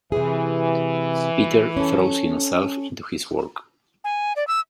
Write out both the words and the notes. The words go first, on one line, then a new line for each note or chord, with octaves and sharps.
Peter throws himself into his work.
C3 E3 G#4
C#4 A4
G#5
D5
E6